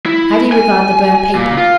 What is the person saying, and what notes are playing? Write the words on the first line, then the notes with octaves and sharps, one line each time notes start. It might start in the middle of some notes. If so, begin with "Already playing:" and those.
How do you regard the burnt paper?
E4
G#5
A#2
F4